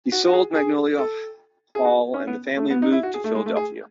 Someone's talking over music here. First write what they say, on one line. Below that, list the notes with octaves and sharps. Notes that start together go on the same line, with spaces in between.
He sold "Magnolia Hall" and the family moved to Philadelphia.
F#4
F#4
G#4
G#4
A4
G#4
F#4
C#4
B3
A3
B3
D#4
E4
F#4
G#4
A3
G#3
A3
G#4